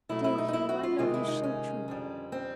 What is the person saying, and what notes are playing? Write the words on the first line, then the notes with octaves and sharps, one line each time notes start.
"Dear Hugh, I love you so truly!"
B2 F#3 A3 E4
E4
D#4
D#4
E4
F#4
F4
C3 D#3 G#3 F4
E4
D#4
C#4
F2 D3 G3
C4